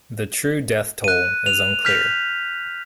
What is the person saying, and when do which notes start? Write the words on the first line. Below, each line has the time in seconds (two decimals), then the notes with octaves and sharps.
The true death toll is unclear.
1.04 F#6 D#7
1.46 F7
1.85 F6 G6 B6 F7